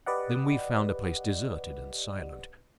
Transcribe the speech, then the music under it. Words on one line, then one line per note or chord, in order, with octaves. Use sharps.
Then we found a place deserted and silent.
G4 B4 D5 D#5 F#5